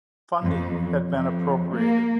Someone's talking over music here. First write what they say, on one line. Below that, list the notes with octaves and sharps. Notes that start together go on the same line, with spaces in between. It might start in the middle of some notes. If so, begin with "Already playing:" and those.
Funding had been appropriated.
F2
F2
A#3